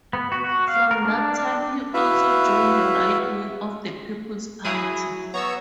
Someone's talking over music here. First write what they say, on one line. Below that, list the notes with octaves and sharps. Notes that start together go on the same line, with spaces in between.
From that time he also joined the right wing of the People's Party.
B3
F#4
F#4
F5
A#4
D4
E4 F#4 B4 E5 F5
F#3 E4 G#4 D#6
B3 C#5 A#5 C#6 E6